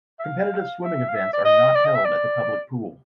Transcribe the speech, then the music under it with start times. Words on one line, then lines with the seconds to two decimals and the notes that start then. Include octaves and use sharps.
Competitive swimming events are not held at the public pool.
0.19 E5
0.25 F5
0.84 E5
1.08 F5
1.15 E5
1.33 D5
1.45 D#5
1.75 D5
1.85 D#5
1.95 E5
2.05 D5